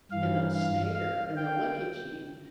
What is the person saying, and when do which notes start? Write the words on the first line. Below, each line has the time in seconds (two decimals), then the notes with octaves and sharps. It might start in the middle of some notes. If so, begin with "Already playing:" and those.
and they'll stare, and they'll look at you.
0.11 G2 E3 F5
0.53 F5
0.94 F5
1.36 G5